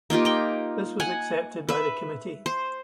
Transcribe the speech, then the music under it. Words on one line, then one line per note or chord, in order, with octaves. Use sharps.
This was accepted by the committee.
A#3 D#4 F4 G4
G5 A#5
F#5 G#5
B4 E5
C5